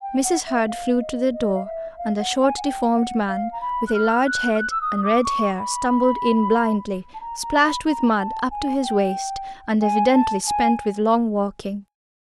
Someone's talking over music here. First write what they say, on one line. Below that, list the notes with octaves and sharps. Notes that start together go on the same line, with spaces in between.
Mrs. Hurd flew to the door, and a short, deformed man, with a large head and red hair, stumbled in blindly, splashed with mud up to his waist, and evidently spent with long walking.
G5
F#5
E5
F5
D#5
D#5
F5
E5
F5
F#5
G#5
F#5
G5
F#5
F5
A#5
B5
F#6
F6
F#6
F6
F#6
E6
D#6
D#6
D6
C#6
B5
A5
A#5
A#5
B5
A#5
A5
G#5
G5
G#5
A5
G#5